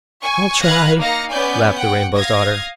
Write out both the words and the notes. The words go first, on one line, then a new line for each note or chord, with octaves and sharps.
"I'll try," laughed the Rainbow's Daughter.
G#5 C#6
B4 F5 F#6 G#6 A#6
A#3 D#4 F5 A#6 C#7
B3 C#4 D5 G#5 G6
F#5 G5
F5 D#6 G#6 A#6